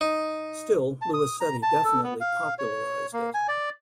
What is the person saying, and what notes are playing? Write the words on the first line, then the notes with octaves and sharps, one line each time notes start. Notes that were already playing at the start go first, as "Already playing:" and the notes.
Still, Luisetti definitely popularized it.
D#4
A5
D#6
A#5
A5
A4
B3
F5
C#5
A#3
G#5
D5